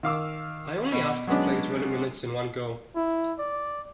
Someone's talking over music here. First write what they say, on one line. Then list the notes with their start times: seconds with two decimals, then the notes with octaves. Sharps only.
I only ask to play twenty minutes in one go.
0.03 D#3 F5 D6 E6
0.92 B2
1.27 F#3 G#3 B3 C#4 D4
2.96 E4
3.39 D5